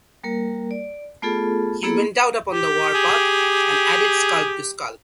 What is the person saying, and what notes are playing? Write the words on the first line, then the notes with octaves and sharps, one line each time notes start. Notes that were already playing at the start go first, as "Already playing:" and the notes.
He went out upon the war-path, and added scalp to scalp.
G3 A#3 A#4
D5
A3 B3 F4 G#4 A4
A#3 B3 E4 G#4 A4
G4
G#4